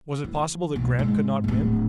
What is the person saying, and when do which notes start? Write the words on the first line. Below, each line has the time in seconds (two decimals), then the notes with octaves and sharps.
Was it possible that Grant could not win?
0.24 E3
0.76 B1
0.99 G#2
1.44 D1 A#1